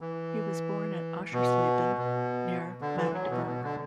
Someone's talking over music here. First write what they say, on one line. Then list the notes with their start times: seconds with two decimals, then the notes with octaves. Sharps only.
He was born at Aschersleben, near Magdeburg.
0.01 E3
1.33 B2
1.98 B2
2.81 D3
2.97 E3
3.13 F#3
3.31 B2
3.46 B2
3.64 D3